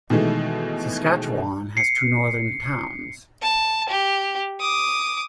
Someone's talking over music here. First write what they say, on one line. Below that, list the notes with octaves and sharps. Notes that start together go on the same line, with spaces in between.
Saskatchewan has two northern towns.
B2 D#3 E3 G#3 A3
C7 C#7
A5
G4
D6 D#6